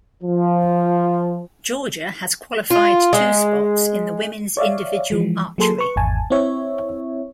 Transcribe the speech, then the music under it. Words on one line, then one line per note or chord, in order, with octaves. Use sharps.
Georgia has qualified two spots in the women's individual archery.
F3
F4
G#3
C#5 D5 E5 F5
E3 F3 G#3
F#3 A#3 G#4 A4 C6
B4 C#6
G#1 E2 G#5 A5
C4 E4 C#5 E5